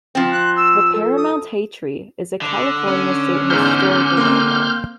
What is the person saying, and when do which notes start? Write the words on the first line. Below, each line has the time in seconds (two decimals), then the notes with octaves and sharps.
The Paramount Hay Tree is a California State Historical Landmark.
0.15 F3 C4
0.31 F#6
0.56 E6
0.94 A4
1.17 D#6
2.42 D3
2.87 C#4
3.50 E2 G#2 F6 G6
4.17 A#3 C4 C6